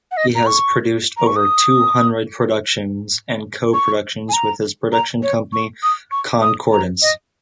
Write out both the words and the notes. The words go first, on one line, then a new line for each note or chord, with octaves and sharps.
He has produced over two hundred productions and co-productions with his production company Concordance.
F#5
D#5
A#5
C#6
A#5
C#6
D#6
C#6
G#5
A#5
A#5
C#5
C#6
D#6
C#6
D#6
A#5
D#5